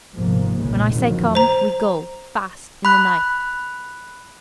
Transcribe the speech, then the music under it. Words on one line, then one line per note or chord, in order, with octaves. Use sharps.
When I say come, we go--fast--in the night.
G1 D2 G#2 C3 F3 A#3
F#1 B1 A#2 C#3 G#3
F2 A2 D3 D#3 F3 F#3
C5 A#5
B5 F#6